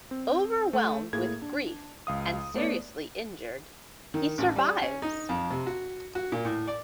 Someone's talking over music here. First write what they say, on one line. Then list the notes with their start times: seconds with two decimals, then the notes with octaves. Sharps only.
Overwhelmed with grief and seriously inured, he survives.
0.11 C4
0.73 A3
1.13 A2 A#3 G#4 G#6
1.42 D4
2.07 C#2 F5 D#6
2.54 A3 B3 C#5 D5
4.14 D#3
4.38 A1
4.56 G3
4.82 C#4
5.02 D#4
5.29 F2
5.50 C3
5.66 F#4
6.15 F#4
6.32 A#2
6.45 A2
6.67 D5